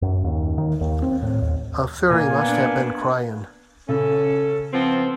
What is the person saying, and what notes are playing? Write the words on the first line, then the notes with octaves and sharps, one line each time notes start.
A fairy must have been crying.
F#2
D#2
D#3
D#2
C4
A2
D#2
A#2 A#3 G#5
B3 D4
C#3 C#4 A4
F3 B3 C4